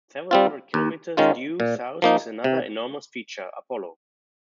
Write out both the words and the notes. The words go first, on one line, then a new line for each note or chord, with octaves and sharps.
Several hundred kilometers due south is another enormous feature, Apollo.
G3 C4 F4
D#2
D#3 G#3 C#4 F4
A#2
F3 A#3 D#4
C3